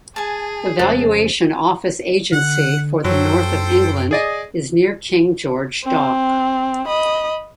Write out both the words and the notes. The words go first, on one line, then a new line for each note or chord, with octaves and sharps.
The Valuation Office Agency for the north of England is near King George Dock.
G#4 G#5 A5
F2 C#3 G#3 A4 C5
D3 F#5
F#2 F#3 A4 C5 G5
G#4 D5 D#5
C4
D#5 B5